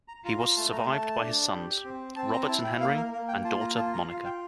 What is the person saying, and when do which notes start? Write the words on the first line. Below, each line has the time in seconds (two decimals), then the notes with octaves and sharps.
He was survived by his sons, Robert and Henry, and daughter, Monica.
0.08 A#5
0.24 F4 A#5
0.40 A#5
0.57 A3 A5
0.72 A#5
0.89 A3 A5
1.20 D4
1.53 G4
1.85 C4
2.16 C4 A5
2.33 A#5
2.48 E4 A5
2.64 G5
2.81 A#3 F5
2.97 A#4
3.13 A#3 A#4
3.28 G5
3.44 F4 A5
3.61 A#5
3.76 F4 A5
3.93 A#5
4.08 F4 F5
4.25 G5